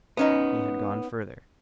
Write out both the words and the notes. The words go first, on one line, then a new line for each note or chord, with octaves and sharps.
He had gone further.
B3 C#4 D#4